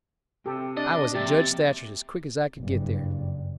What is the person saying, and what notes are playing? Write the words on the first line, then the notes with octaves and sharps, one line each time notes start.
I was at Judge Thatcher's as quick as I could get there.
C3 G4 A4
D4 D5 D#5
C3 F3 A#3 G4 A6
F#1 G2